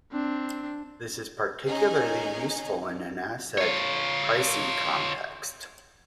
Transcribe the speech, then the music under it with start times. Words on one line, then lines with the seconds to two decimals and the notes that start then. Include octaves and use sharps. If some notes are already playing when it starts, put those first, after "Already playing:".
This is particularly useful in an asset pricing context.
0.12 C4 D4
1.67 C#4 D#4 G#4 G#5
3.58 F4 C#5